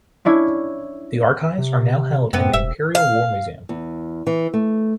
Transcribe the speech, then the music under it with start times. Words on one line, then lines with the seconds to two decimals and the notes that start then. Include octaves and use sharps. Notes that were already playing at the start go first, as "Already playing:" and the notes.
The archives are now held in the Imperial War Museum.
0.25 C#4 D4 E4 C#5
1.58 C3
2.33 F#2 C3 B3
2.53 E1 E5
2.95 F5
3.69 E2
4.27 E3
4.54 A3